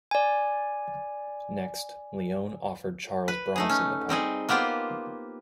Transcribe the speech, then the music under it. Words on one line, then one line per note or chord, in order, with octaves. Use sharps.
Next, Leone offered Charles Bronson the part.
D5 G#5
B4
A3 D#4 G#4
C#4
G3 C4 D#4 G#4
A#3 B3 F4 G4 C5